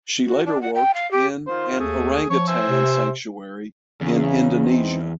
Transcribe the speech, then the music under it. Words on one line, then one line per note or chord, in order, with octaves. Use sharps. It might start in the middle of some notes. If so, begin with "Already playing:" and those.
She later worked in an orangutan sanctuary in Indonesia.
F#4
D4
F#5
G5
F5
G4
D#3 F4 C5
D#2 A3 G#4
F3 C#5 C#6
C5 E5 G#5
C3
E2 C#3
C4 D#4